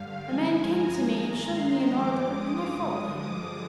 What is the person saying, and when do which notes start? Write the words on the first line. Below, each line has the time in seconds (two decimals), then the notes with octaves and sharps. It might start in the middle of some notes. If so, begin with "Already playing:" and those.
A man came to me and showed me an order and I followed him.
Already playing: G2 D3 G3 F5
0.25 G2 F3 G#3 G#5
0.66 A#5
1.08 G2 D#3 G#3 A#5
1.50 C6
1.91 G2 F3 G#3 D6
2.33 D#6
2.74 G2 D3 F3 G#3 D#6
3.16 D6